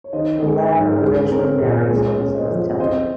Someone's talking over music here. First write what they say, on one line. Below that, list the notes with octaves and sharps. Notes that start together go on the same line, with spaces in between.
The latter eventually marries Elizabeth Temple.
C#5
D#3 C5 D#5
G#3
G#2
A#4
G#3 G#4 C5
C4 A#4 C#5
A#4
A#2 G#4 C5
G#3 A#4 C#5
C#4
C5 D#5
F3
C4 C5 D#5